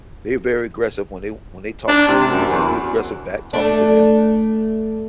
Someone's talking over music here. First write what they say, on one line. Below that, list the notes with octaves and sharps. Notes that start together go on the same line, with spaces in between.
They're very aggressive when they when they talk to you, you you aggressive back talking to them.
D4
C3
F#2
E2
A3 D4